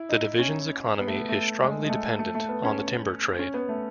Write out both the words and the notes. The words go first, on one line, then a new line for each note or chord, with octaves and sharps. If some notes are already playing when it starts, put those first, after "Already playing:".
The division's economy is strongly dependent on the timber trade.
Already playing: E4
D#4
C#4
B3
A3
B3
A3
G#3
G#3
A3
A3
A3
B3
C#4
C#4
B3
A3